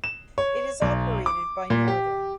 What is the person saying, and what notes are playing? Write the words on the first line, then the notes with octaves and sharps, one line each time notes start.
It is operated by Northern.
E7
C#5
B1
D6
A#2
G4